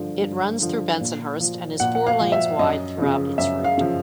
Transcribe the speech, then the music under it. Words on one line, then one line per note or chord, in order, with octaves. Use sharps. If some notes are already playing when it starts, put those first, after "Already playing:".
It runs through Bensonhurst and is four lanes wide throughout its route.
Already playing: G2 D3 F3
G2
D3 F3
A#2
F3
A#2 F#5
F#5
F5
F3
E5
F#2 D#5
C#3 F3
F#2 E5
F5
C#3 F3